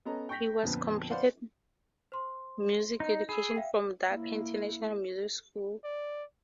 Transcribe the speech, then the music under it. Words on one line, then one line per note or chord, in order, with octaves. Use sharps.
He was completed music education from Dhaka International Music School.
B3 C#4 A4 D#5 A#5
G5 C#6 G6 A#6 B6
F2 A#2 D3 B3
B4 C5 D5 F5 F#5
C5 C6
D#4
G#4 B5 E6
E5 F5 G5
A#3 E4
D5